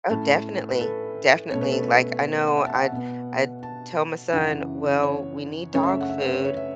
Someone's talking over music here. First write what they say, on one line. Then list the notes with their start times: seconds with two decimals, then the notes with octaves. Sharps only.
Oh, definitely. Definitely. Like, I know I'd I'd tell my son, "Well, we need dog food,
0.10 A2 A3 C#4 A5
0.71 B4
0.81 A4
1.51 B2 A3 C#4 C#5
1.61 B4
1.72 A4
1.83 B4
2.47 F#5
2.57 E5
2.66 A5
2.75 F#5
2.92 B2 B3
3.63 A5
4.33 F#2 C#3 E3 F#5
5.03 C#5
5.74 F#2 C#3 A3 C#4 C#5
5.83 E5
6.01 F#5
6.09 E5
6.21 B4
6.33 C#5
6.45 C#5
6.57 E5